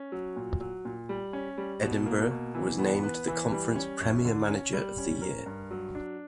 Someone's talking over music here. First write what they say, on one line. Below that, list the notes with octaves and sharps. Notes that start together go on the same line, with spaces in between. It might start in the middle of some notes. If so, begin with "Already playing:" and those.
Edinburgh was named the Conference Premier Manager of the Year.
Already playing: C#4
F#3
A#2
F#3
A#2
G3
C#4
G3
B2
A#3
B2
E3
B3
B4
E3
G3
C#4
F#2
D3
C#4
G3
C#4
A#4
G2
F#3
D4